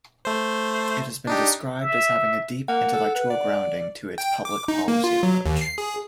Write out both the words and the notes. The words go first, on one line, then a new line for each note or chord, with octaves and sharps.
It has been described as having a deep intellectual grounding to its public-policy approach.
A3 C5
D4 D#4 G4
E5
A#3 F#5
A4
B4
D5
G5
D6
D#4
A#3
F4
F#3
D#2
C7
G#4